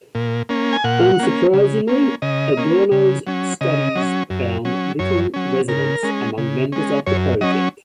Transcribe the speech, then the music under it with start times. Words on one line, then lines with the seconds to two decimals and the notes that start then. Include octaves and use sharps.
Unsurprisingly, Adorno's studies found little resonance among members of the project.
0.15 A#2
0.49 A#3 C#4
0.73 G#5
0.84 A#2 F#5
1.19 A#3 C#4
1.53 C#3
1.88 A#3 C#4
2.22 C#3 D#5
2.57 A#3 C#4
2.91 C#3
3.27 F#3 C#4
3.61 C#3 D#5
3.95 F#3 C#4
4.30 F#2
4.65 F#3 C#4
4.99 F#2 C#5
5.34 F#3 C#4
5.68 C#3 A#4
6.03 G#3 C#4
6.38 C#3
6.72 G#3 C#4
7.07 F#2 C#5
7.41 F#3 C#4 D#5